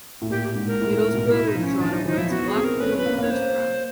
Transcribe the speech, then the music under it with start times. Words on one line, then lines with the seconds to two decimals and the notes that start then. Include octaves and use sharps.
Middlesbrough were drawn away to Blackpool in the first round.
0.22 A2
0.30 A#2 G4
0.55 G#2
0.67 A#4
0.80 A2
0.97 A2
1.14 B2
1.31 E4
1.47 D#4
1.55 F3
1.63 C#4
1.80 E3 D4
1.93 F#3 D#4
2.05 E3 D#4
2.18 F3 E4
2.30 B3 F#4
2.48 G#4
2.56 C4
2.65 A#4
2.80 C#4 B4
2.93 C#4 B4
3.06 A#3
3.18 A#3 C#5
3.30 C5